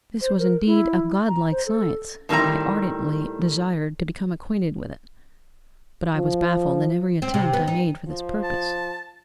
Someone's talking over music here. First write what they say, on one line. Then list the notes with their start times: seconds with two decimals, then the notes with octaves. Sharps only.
This was indeed a godlike science, and I ardently desired to become acquainted with it. But I was baffled in every attempt I made for this purpose.
0.21 C5
0.39 A#4
0.66 E4
1.27 A#5
1.52 C5
1.66 A4
2.29 A2 D#3 G3 C4 A#5
6.16 F3
7.22 C4
7.34 C3
7.53 B3
7.68 D#4
8.07 F3
8.44 A5